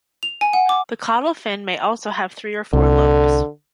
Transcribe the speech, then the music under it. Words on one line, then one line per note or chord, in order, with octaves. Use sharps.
The caudal fin may also have three or four lobes.
F7
G#5
F#5
D6
C2 D3